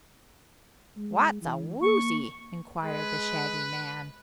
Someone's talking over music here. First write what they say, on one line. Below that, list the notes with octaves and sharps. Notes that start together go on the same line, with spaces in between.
"What's a Woozy?" inquired the Shaggy Man.
G#3
E3
A#3 C#6
G#3 B4